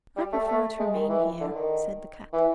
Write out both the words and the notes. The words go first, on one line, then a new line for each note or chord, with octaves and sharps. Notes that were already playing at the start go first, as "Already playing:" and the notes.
"I prefer to remain here," said the cat.
G3
A3
A3
G#3
D#3
E3
D3
D#3
E3